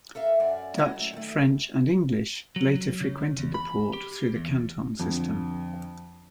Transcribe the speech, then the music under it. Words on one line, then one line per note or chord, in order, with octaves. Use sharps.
Dutch, French, and English later frequented the port through the Canton System.
A4 A#4 E5 F5
F#2 D5 G#5
F#3 G#3 A3 C#4 E4 D#5
F#3 A3
D#3 A3
F#3
C#3
E2
B5
G4
E2
F2 D3